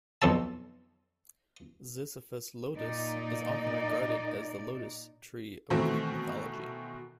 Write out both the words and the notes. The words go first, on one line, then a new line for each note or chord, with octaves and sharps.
"Ziziphus lotus" is often regarded as the lotus tree of Greek mythology.
B1 F2 A4 A5
A#2 D#4 D5
B2 D#3 E3 A3 C4